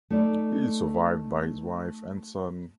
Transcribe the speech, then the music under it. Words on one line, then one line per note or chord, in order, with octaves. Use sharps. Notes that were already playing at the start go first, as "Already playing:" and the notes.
He is survived by his wife and son.
A3 D#4 A4 D5